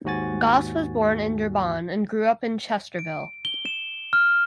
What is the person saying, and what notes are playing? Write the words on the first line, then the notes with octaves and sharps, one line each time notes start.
Goss was born in Durban and grew up in Chesterville.
D#2 G#2 F#4 G#5 A6
D7
G7
E7
F6